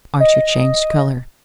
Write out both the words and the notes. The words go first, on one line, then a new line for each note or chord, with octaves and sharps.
Archer changed colour.
D#5